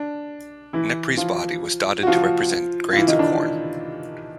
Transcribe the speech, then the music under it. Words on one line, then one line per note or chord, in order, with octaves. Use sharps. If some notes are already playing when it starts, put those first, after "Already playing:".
Nepri's body was dotted to represent grains of corn.
Already playing: D4
E3 E4
F3 F4
F#4
F3 F4
F4
E3 E4
D#3 D#4
D4